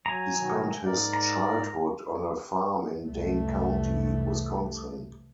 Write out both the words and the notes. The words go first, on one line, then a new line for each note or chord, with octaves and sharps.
He spent his childhood on a farm in Dane County, Wisconsin.
F#3 G#5 A#5
B2 D#3 F#3
G#2 A#4 D5
A#5
C2 F2 E3 A3